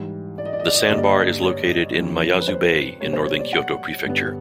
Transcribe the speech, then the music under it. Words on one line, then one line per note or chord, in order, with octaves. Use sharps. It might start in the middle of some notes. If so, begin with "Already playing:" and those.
The sandbar is located in Miyazu Bay in northern Kyoto Prefecture.
Already playing: G#2 E3 G3
D5
D#5
D5
D#5
D5
D#5
D5
G2 D3 G3 A#3 D#5
D5
D#5
D5
C#5
F2 C#3 F3
B4
C5
B2 G3 A#3 C#5
C5
C#5
D5
F#5
G2 D3 G3 B3